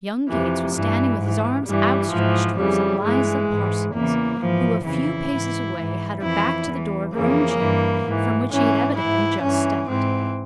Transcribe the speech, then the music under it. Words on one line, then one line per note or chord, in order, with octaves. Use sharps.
Young Gates was standing with his arms outstretched toward Eliza Parsons, who, a few paces away, had her back to the door of her own chamber, from which she had evidently just stepped.
F2 C3 E3
G2 E3
G#2 E3
G2 E3 G3
G#2 E3 F3
F2 C#3 E3 G3
G2 E3 G#3
G#2 E3
E2 C#3 E3 A#3
G#2 E3 F3
F2 C#3 E3 E4
G#2 E3
G#2 E3
F2 E3 E4
E2 E3
F2 C#3 E3 A#3
G2 E3
G#2 E3
G#2 E3 C#4
G#2 E3 E4
G2 E3 C#4
G#2 E3 C4